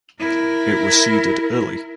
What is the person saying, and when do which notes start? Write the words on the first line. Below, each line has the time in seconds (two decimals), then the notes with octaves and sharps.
It was seeded early.
0.20 E4 A#4